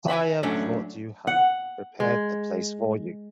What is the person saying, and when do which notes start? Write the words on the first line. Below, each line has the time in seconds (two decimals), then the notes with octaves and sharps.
I have brought you home and prepared a place for you.
0.08 B4 E5 G5 G#5
0.43 F#3 A3 C#4 D4 D5
1.27 F#5
2.00 G#3